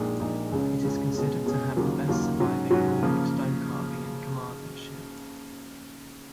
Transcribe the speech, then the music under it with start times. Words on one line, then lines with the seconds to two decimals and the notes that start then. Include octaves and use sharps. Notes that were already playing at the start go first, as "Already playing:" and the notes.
It is considered to have the best surviving Norman stonecarving in Carmarthenshire.
Already playing: A#1 A#2 G#3 D#4
0.20 A#1 A#2 G#3 D#4
0.52 C#2 C#3 G#3 C#4
0.82 C#2 C#3 G#3 C#4
1.13 B2 G#3 C#4 G#4
1.45 B2 G#3 C#4 G#4
1.76 D#2 C#3 F#3 A#3 F4
2.08 D#2 C#3 F#3 A#3 F4
2.39 G#2 F#3 C#4 F#4
2.71 G#2 F#3 C#4 F#4
3.02 C#3 F3 A#3